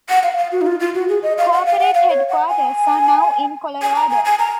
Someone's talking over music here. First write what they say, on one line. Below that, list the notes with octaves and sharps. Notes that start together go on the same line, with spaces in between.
Corporate headquarters are now in Colorado.
F#5
F5
F5
F#4
D#4
F4
F4
F#4
G#4
D#5
F5
F#5
F5
F#5
F5
C#5
F#5
G#5
G#5
A#5
G#5
G#5
A#5